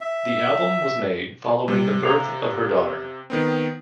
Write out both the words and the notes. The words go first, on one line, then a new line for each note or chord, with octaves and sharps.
The album was made following the birth of her daughter.
E5
C3 G3
F5 A#5
D#3 B3 C4